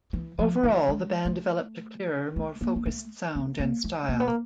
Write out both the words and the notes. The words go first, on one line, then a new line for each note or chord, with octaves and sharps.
Overall, the band developed a clearer, more focused sound and style.
E3
F3
E3
G#3
A3
A3
A#3
A#3
A3
B3
A#3
A3
A#3
B3
A#3